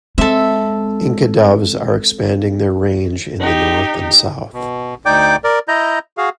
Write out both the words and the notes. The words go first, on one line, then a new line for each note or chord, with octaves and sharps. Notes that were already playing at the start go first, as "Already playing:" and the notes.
Inca doves are expanding their range in the north and south.
G#3 C4 A4 E5
D#4 G4
B2
D2 D#4 D5 G5 D6 G6
A#4 D5
E4 D#5 A#5 G6
F#4 G#4 F5